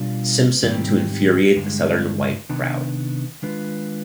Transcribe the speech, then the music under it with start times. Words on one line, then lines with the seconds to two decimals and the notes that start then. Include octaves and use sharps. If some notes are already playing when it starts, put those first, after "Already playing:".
Simpson to infuriate the southern white crowd.
Already playing: B2 G3 D4 F4
0.63 G#2 D#3 G3 C4 G4
1.56 G2 D3 G#3
2.49 C3 D#3 B3 D4
3.42 D#3 G#3 D4 F4 B4